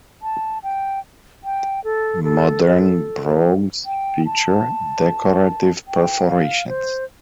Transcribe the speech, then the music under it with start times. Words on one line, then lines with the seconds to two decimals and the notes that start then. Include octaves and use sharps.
Modern brogues feature decorative perforations.
0.22 A5
0.63 G5
1.44 G5
1.84 A4
2.24 A4
2.64 A4
3.86 G5
4.26 A5
5.88 G5
6.28 F5
6.68 C5